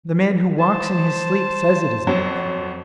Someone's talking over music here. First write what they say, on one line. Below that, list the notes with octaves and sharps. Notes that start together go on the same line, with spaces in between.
The man who walks in his sleep says it is not a club.
C5 A5
F2 F#3